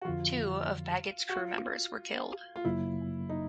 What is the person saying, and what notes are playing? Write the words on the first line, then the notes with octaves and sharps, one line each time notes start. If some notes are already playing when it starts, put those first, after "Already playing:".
Two of Baggett's crew members were killed.
F#4
F2 D3 F3 F4
F#4
F4
F4
G#1 F#2 C#3 F#3 A#3 E4
D#4